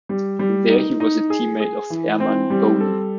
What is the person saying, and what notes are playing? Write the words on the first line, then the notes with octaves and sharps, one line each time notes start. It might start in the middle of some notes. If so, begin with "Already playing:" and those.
There he was a teammate of Herman Boone.
G3
G3
D#4
D#4
G#4
G#4
E3
C4
G3
A4